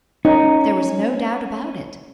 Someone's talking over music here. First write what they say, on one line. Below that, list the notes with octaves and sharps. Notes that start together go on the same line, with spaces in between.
There was no doubt about it.
C#4 D#4